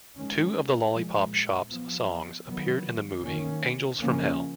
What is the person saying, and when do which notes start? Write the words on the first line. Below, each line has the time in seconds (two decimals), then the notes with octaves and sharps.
Two of The Lollipop Shoppe's songs appeared in the movie, "Angels from Hell".
0.16 D#3 G#3 C#4
0.93 A#2 F3 G#3
1.69 F3 B3
2.46 D#3 F#3 B3
3.23 D#3 A#3 C#4
3.99 C#3 F3 A#3 C#4